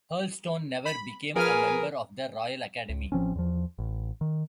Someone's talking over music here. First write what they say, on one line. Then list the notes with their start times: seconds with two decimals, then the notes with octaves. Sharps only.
Hurlstone never became a member of the Royal Academy.
0.85 B5
1.36 F3 G#4 A#4 B4 G#5 F6
2.89 C#2
3.12 A1 F3 C4 C#4
3.35 E2 F3
3.79 A1
4.21 D#3